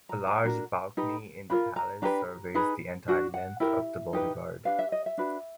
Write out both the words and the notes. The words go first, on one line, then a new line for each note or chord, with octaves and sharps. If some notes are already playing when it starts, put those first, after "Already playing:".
A large balcony in the Palace surveys the entire length of the boulevard.
A#5
A#5
D4 F#4 A#4
D#4 G4 B4
D4 F4 A#4 B5
A#5
D4 G4 B4 A#5
D#4 G#4 B4
D4 F#4
F#5
E4 G4 A#4 E5
D#4 G4 B4
D4 G4 B4 F5
E5
D#5
E5
D4 F#4 B4